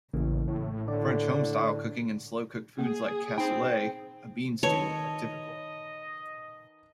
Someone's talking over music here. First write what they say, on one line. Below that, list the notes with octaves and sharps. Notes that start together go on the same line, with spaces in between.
French home-style cooking, and slow-cooked foods like cassoulet, a bean stew, are typical.
A1 C#3 E3 A#3
A2
D3 D5
A#3 G#4
D#4 C5 G5
D#3 A4 B4 C#5 D#5